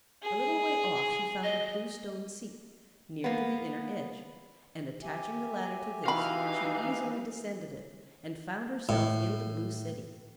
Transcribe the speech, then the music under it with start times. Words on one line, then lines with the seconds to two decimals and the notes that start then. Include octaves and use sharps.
A little way off she found a bluestone seat, near to the inner edge, and attaching the ladder to this she easily descended it and found herself in the Blue City.
0.23 G#4
1.44 D#5
3.24 A#3 B3
5.03 G4 E5 G#5
6.05 E3 D#4 F#4 F5 B5
8.89 A2